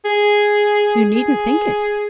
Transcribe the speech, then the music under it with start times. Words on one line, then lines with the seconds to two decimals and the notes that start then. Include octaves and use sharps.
You needn't think it.
0.05 G#4
1.15 G#4